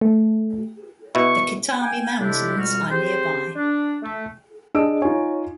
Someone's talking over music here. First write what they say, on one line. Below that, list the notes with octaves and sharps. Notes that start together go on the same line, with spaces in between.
The Kitami Mountains are nearby.
A3
B2 E4 C#6
G5 G#5
A2 C3 G#3 D4 E4 G4
F2 B2 G3 F#4 F6
C4 G4 G#4 C5
D4
A3
D4 G#4 D5 D#5 E6 D7
D#4 F4 C#5 G#5